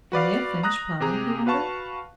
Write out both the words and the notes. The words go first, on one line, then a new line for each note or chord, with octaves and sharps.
"Can they have finished ploughing?" he wondered.
F#4 B4 D5 F5
A#5 D#6 F#6 A#6
C3 G4 G#4 A#5
F#4 B4 F5 A5 C#6